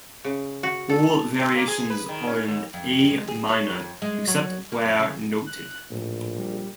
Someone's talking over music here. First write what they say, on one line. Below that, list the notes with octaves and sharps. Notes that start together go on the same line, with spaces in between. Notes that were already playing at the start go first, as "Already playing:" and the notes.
All variations are in A minor except where noted.
C#3
F#4
A4
C4
A#3
G#4
B4
D#3
C#4
D#2
F2
G#3
G#4
C#5
F2
G#3
F#3
A#3
F2
C#3
F#6
A#1 A2
G3